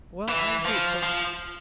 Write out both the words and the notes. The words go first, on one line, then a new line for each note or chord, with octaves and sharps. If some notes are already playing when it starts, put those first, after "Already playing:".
Well, I'm brutal.
E3
F3
F3